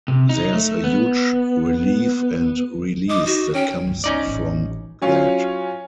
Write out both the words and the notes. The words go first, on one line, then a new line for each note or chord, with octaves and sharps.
There's a huge relief and release that comes from that.
C3
D#4
A3
B3
D#5 D6
D#4 F#4
C#4 G5
G1 C#2
C#4 D#4 D5
A1
F#3 C#4 F4